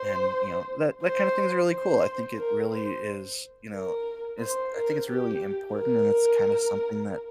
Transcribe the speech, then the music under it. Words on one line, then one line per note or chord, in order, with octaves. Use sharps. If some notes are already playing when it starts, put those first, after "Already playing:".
And, you know, that that kinda things really cool, I think it really is, you know, it's I think it's really important and it's kinda something that
Already playing: C5
C5
C5
A#4
C5
A#4
C5
A#4
G4
A#4